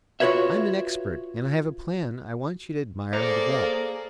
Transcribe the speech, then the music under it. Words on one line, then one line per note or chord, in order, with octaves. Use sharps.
I am an expert and I have a plan I want you to admire and develop.
F4 F#4 G#4 B4 C#5 E5
A#3 G#4 A4 C5 D5 A#5